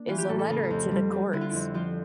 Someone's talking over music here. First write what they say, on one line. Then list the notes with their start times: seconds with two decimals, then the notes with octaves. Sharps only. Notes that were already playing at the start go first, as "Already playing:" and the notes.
is a letter to the courts.
Already playing: A#3 D4
0.08 E3 F4
0.18 G4
0.29 A2 A4
0.39 A4
0.50 C#3 F4
0.70 F2
0.91 G3
1.12 G3
1.33 D3 E4
1.41 F4
1.49 F2 E4
1.74 F3 F4